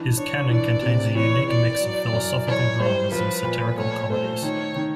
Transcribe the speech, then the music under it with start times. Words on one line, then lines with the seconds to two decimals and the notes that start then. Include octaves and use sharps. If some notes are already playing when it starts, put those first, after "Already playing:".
His canon contains a unique mix of philosophical dramas and satirical comedies.
Already playing: E3 D4
0.17 D4 C#5
0.50 E3 D5
0.82 C3
1.15 E3 C#5
1.48 E3 D5
1.80 F#3
2.13 F#2
2.46 E3 C#5
2.78 G3 C5
3.12 F3 B4
3.45 A#2
3.77 A3 C#5
4.09 A3 C5
4.42 D#3 C#5
4.76 D#3